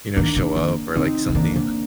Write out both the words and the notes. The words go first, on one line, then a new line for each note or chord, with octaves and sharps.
you know, show up or, like, something?
D#3 A#3 D4
D#3
D#3
D3 C4 D#4
D3
D#3 A#3 D4
D3